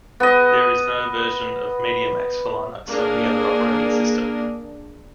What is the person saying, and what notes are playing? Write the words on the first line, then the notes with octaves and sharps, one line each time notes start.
There is no version of MediaMax for Linux or any other operating system.
B3 D#5
A#3 D4 G#4 A#4